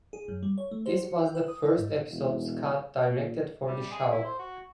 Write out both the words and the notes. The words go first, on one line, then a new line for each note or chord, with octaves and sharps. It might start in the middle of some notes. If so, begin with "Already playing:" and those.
This was the first episode Scott directed for the show.
G#4
F#2
G3
C#5
A3
C5
F#4
G5
B4
D#6
E4
G#2
E1
A#2
G3
G#4
E4
C5
F#4